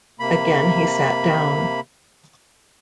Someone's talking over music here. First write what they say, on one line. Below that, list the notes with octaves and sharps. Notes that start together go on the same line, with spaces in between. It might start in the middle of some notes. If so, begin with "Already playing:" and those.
Again he sat down.
C3 A#3 B5